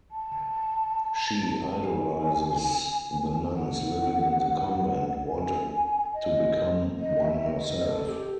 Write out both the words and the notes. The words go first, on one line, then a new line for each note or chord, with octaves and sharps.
She idolizes the nuns living in the convent, wanting to become one herself.
A5
G#5
F#5
G#5
D#5
D#5
E5
D#5
D#5
A4
G4